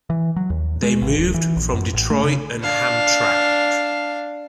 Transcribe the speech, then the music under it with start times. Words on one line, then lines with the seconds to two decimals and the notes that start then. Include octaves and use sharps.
They moved from Detroit and Hamtramck.
0.10 E3
0.36 F#3
0.50 D#2
0.83 G#3
1.02 A1
1.17 D#1
1.34 E3
1.57 A#1
1.74 F#2
1.94 A1
2.10 A3
2.24 C#3
2.62 D4 F5